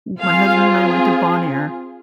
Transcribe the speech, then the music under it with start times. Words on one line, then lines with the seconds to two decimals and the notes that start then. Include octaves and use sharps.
my husband and I went to Bonaire,
0.21 C4 F4 G#4 F5